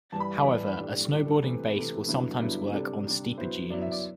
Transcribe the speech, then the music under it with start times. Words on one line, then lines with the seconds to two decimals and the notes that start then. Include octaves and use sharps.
However, a snowboarding base will sometimes work on steeper dunes.
0.12 G2 E3 G3 A5
0.20 B5
0.36 E5
0.44 G2 E3 G3 D5
0.78 A2 G3 D4
1.10 A2 G3 D4
1.26 A4
1.42 C3 E3 A3 B4
1.75 C3 E3 A3
2.07 G2 D3 F#3 B3 E4
2.40 G2 D3 F#3 B3 E4
2.72 C3 G3 D4 A4
3.05 C3 G3 D4
3.38 F#2 F#3 B3 E4 C5
3.70 F#2 F#3 B3 E4 D5
3.82 E5
3.92 D5